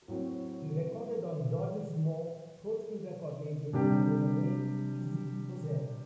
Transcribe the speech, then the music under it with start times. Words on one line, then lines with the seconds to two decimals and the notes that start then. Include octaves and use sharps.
He recorded on George's More Protein record label under the name E-Zee Possee.
0.08 A2 F#3 C4
3.73 C3 G3 D4 G4